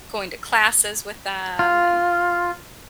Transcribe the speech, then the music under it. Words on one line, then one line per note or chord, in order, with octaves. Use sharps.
going to classes with them. And,
F4